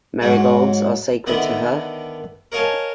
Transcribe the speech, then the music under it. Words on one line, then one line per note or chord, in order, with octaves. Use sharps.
Marigolds are sacred to her.
G#2 F#3 G#3
D3 D#3 B3 D#5 E5
A#4 C#5 D#5 F5 G#5 A5